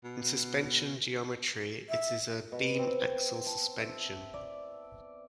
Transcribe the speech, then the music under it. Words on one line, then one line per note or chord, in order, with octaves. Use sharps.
In suspension geometry it is a beam axle suspension.
B2
E5
B2
C4
A5
E5
D5